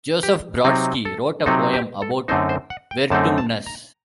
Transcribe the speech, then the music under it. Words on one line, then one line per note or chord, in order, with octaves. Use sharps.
Joseph Brodsky wrote a poem about Vertumnus.
G4
C3 F#3 C4 D#4
A4
C3 F#3 C4 D#4 A4
G4
A4
F#2 D3 A3 C4 D#4 C5
C5
F#5
G5
F#2 D3 A3 C4 D#4 A5
A5
A#5